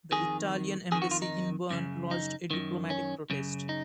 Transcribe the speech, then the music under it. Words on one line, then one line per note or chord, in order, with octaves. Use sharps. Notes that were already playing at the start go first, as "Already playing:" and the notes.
The Italian embassy in Berne lodged a diplomatic protest.
F2 D#3 G#4
F2 D#3 G#4
F#4
F4
D#4
F#2 C#3
D#4
F#2 D#3
C#4
F#2 C#3
D#4